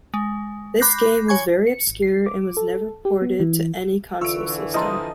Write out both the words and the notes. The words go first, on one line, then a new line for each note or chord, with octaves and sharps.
This game was very obscure and was never ported to any console system.
G#3
B5 D6 F#6 G6 A#6 C7
C#5 G#5 C#6 G#6
C#7
G#1
C7
D6
A4
G4
B3
E3
D3 E3 F4 C#6 E6 D7
F3 D#5 A5 A#5 C6 D#6